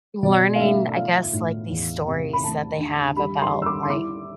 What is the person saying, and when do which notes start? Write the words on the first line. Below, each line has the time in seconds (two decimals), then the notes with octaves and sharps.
Learning, I guess, like these stories that they have about like,
0.23 B2 D5
0.55 F5
0.60 A3 E5
0.96 F4 F5
1.33 A2
1.70 E2
2.07 C3
2.33 B5
2.44 A3 A5
2.79 D3
3.16 G3 B5
3.42 C6
3.53 G3
3.62 E6
3.66 D6
3.83 C6
3.90 E4 D6